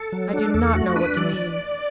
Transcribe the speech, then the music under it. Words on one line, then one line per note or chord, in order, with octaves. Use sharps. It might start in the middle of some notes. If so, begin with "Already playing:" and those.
"I do not know what you mean."
Already playing: A4
F#3
D4
E2 A4
A3 F#4
D4 B4
E3 D5